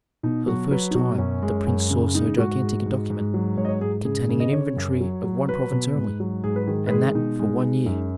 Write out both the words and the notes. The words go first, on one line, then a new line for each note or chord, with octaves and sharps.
For the first time the prince saw so gigantic a document, containing an inventory of one province only and that for one year.
B2 D#4
F#3 F#4
F#3 B4
D#4
B2 F#4
F#2 C#4
G#3
F#2
C#3
G#3 D#4
G#2 F#4
G#2
G#2
G#2
F#3
G#2 C#5
D#5
C#5
G#2 G#4
C#3 G#4
C#3
D#5
C#3 C#5
F#2
F#3
F#3
F#3 B4
B2
G#2
F#3
G#2 G#4
B4
D#3 G#4
B4
G#3 G#4
B2 D#4
G#3
G#3
F#2